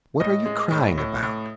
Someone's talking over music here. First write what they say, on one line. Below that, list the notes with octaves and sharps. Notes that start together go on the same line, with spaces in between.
"What are you crying about?"
A2 D#5
G#3
A2
A2
A2